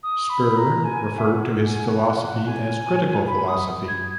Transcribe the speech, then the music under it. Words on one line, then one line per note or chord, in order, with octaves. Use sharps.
Spir referred to his philosophy as "critical philosophy".
D#6
B5
A#5
G#5
E5
F#5
G#5
F#5
F#5
F#5
G#5
B5
D#6
G#6